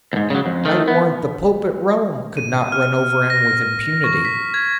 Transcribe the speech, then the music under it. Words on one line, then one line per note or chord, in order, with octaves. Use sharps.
I warrant the pope at Rome could not run over him with impunity.
D#2 G#2
C#3 F#3
F2
D#3 A3
B3
D#7
F6
A#6
C#6
B6
G#6